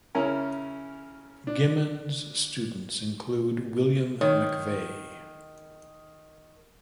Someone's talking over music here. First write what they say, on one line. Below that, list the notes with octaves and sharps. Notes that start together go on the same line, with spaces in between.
Gimond's students include William McVey.
C#3 C#4 E4 A#4
D4
D#3 C#5